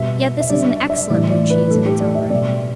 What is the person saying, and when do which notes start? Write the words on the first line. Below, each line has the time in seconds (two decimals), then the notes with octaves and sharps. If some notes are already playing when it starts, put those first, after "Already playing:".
Yet this is an excellent, Blue cheese in its own right.
Already playing: B2 G3 E5
0.40 E5
0.50 D3 G3 D5
0.70 E5
0.90 E5
1.10 A2 E3 G3 D5
1.30 D5
1.50 B4
1.70 A2 A3 A4
1.86 G4
2.00 D5
2.15 E5
2.30 B2 G3 D5